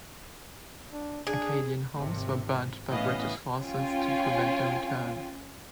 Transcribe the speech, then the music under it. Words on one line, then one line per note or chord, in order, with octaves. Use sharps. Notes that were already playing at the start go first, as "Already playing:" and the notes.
Acadian homes were burnt by British forces to prevent their return.
D4
D4 G#4
G#1 C3
A2 E3 B3 C#4 D#5 F5
C#4 F4 G5 G#5